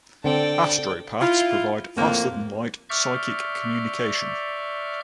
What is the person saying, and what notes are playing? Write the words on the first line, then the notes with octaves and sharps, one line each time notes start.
Astropaths provide faster-than-light psychic communication.
D3 C4 A4 D5 G5
E4 F4
F2 A2 A#3
D5 E5 C#6 F6 G6